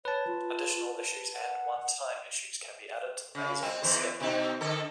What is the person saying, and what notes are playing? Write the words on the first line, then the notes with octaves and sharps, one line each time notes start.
Additional issues and one-time issues can be added to the magazine schedule.
B4 C#5 A5
F4
F#5
C#3
G#3 C4
E2 E3 C5
B2 C4 D#4
D3 A4